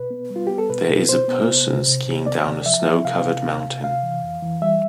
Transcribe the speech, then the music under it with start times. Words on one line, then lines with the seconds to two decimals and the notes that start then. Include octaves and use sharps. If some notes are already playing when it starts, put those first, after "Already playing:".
There is a person skiing down a snow covered mountain.
Already playing: B2 B4
0.11 B3
0.30 G3
0.36 F4
0.47 B3 G4
0.58 A4
0.69 B2 B4
0.89 B2
1.09 B2 C5
1.28 B3
1.48 C3
1.68 C3
1.88 C3
2.07 C3
2.26 B3 D5
2.46 C3
2.66 F3 E5
2.85 F3
3.05 C3 F5
3.25 C3
3.44 C3
3.64 C3
3.83 C3 F5
4.03 E3
4.23 F2
4.43 E3
4.62 G3 E5